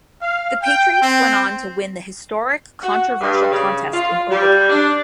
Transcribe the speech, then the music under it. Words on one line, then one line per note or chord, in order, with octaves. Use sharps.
The Patriots went on to win the historic, controversial contest in overtime.
F5
G5
C4
F#4
G2
C#3
F4
G3
D4